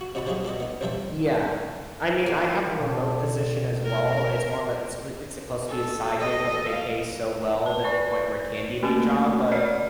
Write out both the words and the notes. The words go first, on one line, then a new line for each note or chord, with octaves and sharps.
Yeah. I mean, I have a remote position as well, it's more of a it's s it's supposed to be a side gig, but they pay so well that the point where it can be a main job but,
F#4
C3 D#4 F#4 A5 B5
D3 F3 F#3 G#3 G4 G#4
B2 A4 D5 D#5
B3 D#4
A1 F2 G3 A4 E5 G5
A#3 C4
B2 D3 F3 G4
A#4
A4
A4 D#5
F5
A5
B4 D5 C#6
A3 A#3 C#4 F#4
C#5 D5 F6